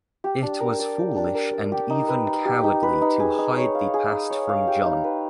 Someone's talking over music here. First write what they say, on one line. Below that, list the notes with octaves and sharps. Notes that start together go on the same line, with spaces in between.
It was foolish and even cowardly to hide the past from Jon.
G4
D4
A#4
D5
G4
D4
A#4
D5
G4
D#4
B4
D#4
G4
D#4
B4
D#4
G#4
D#4
C#5
F5
G#4
D#4
C#5
F5
G4
D#4
B4